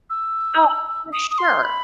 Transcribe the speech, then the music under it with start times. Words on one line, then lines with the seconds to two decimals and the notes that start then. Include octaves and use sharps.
Oh, for sure.
0.10 E6
1.12 D#6
1.31 D#6
1.38 C6
1.63 B5